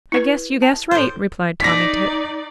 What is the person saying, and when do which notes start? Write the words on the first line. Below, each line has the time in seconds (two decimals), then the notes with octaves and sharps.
"I guess you guess right," replied Tommy Tit.
0.12 E4 B4
0.62 A5
0.91 A2 C5
1.60 D#4 D5 A#6 B6